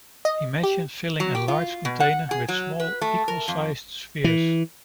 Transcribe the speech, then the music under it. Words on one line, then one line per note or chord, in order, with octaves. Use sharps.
Imagine filling a large container with small equal-sized spheres.
D#5
G4
F#3
G4
F4
B2
F#5
G#4
F#3
B4
A3
A#4
F2
E3